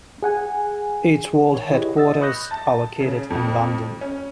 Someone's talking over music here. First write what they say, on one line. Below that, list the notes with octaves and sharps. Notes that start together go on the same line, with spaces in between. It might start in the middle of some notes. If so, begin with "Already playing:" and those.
Its world headquarters are located in London.
G#4 F#5 G#5
D#3 C#5
E4 G4 G#4 B4 C#5 D#5
D#5 E6 A6
B5 C#6 D#6 F#6 G6 A#6
A5
C#3
F2
C#4